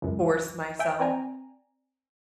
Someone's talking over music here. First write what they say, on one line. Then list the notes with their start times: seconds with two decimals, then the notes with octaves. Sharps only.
force myself.
0.02 C#2 F#2
0.79 E5 G5 G#5
1.00 C4 D5 G5 G#5 A#5